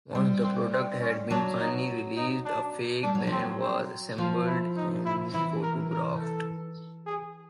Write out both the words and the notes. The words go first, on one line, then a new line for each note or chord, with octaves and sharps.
Once the product had been finally released, a fake band was assembled and photographed.
G3 C4
C4
C4
C#4
F#3 D4
D#4
D#4
D4
G3 D4
F#3
F3
C4
F#3
C4
F3 F4
E4
D#4
E4
E3 E4
A#4
A#4
A4
G#4